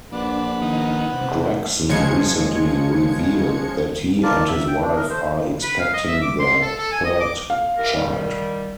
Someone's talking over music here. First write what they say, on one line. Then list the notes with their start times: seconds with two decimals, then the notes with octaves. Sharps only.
Gregson recently revealed that he and his wife are expecting their third child.
0.12 A#1 D4 B4 F#5
0.62 D#3 A#3 D#4
1.13 C3
1.90 C#3 F3 G#3 G#6 C#7
4.23 F4 A#4 D5 A5
4.47 E5
4.68 G5
4.82 D4
4.96 A#4 D#5
5.10 A3 C5
5.63 B4
5.79 F5
5.93 D#5
6.07 E5
6.22 D6
6.39 C6
6.62 A4
6.78 A4
6.92 G#5
7.05 D#5
7.20 D6
7.50 F5
7.78 E4 G4 A#4
7.96 D#3 G3